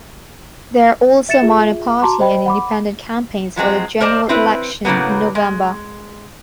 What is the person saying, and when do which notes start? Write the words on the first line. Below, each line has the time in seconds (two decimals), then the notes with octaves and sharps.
There are also minor party and independent campaigns for the general election in November.
1.29 E5 A6 C#7 E7
1.42 F4 G#4 E5
2.02 F#4 A5 A#5 C6 D6
2.20 C5 D#5 G5 B5
2.46 F#5 B5 D6
3.56 F3 F#3 G#3 C4
4.01 A#4 C5 D5 D#5 A5
4.29 C4 E4 B4
4.85 A2 C#3 F#3 A#3 B3
5.35 G#3